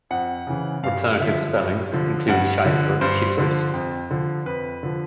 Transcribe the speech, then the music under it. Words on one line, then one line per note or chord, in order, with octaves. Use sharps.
Alternative spellings include Schifer and Schiffers.
F2 F#5
C#3 E3
G2 F5
D3 F3 E5
G2
D3 F3
G2 F#5
D3 F3
G2 C5
D3 F3
F2
D3 F3
F2 B4
D3 F3